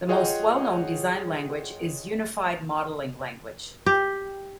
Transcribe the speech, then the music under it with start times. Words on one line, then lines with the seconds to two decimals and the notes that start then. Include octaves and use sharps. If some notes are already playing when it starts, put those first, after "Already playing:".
The most well known design language is Unified Modeling Language.
0.08 F4 G#4 C#5 D#5 F#5 G5
3.86 G4